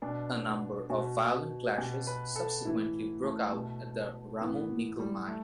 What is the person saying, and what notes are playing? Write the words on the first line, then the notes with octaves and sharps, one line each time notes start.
A number of violent clashes subsequently broke out at the Ramu nickel mine.
B2 D4
B2 F#4
B2 G4
B4
A4
A2 E3 E4
A3
B2
A2 E3 B3
G3
A3